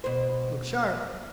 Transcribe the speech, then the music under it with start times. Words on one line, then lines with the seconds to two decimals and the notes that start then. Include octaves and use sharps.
Look sharp!
0.04 B2 C5